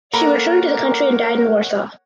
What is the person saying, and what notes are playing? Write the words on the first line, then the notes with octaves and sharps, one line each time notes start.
She returned to the country and died in Warsaw.
A#3 A4 A#4 C#5 F#5 A#5 B5